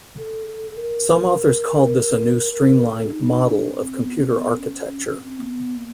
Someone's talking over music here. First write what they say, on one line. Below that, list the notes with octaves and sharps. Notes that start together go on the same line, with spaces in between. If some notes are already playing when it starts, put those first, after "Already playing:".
Some authors called this a new streamlined "model" of computer architecture.
A4
A4
A4
A#4
A#4
A4
D4
D#4
D4
C4
B3
B3
C#4
C#4
C#4
C4
A#3
B3
A#3